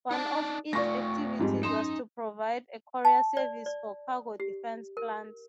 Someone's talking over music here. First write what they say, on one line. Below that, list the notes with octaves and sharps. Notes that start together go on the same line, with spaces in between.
One of its activities was to provide a courier service for cargo defense plants.
D#4 D5 A5
A3 F4 D5 C#6 A#6
F2 G#2 G3
F#2 D#4 C6 E7
A5
D5
D5
G4
A#4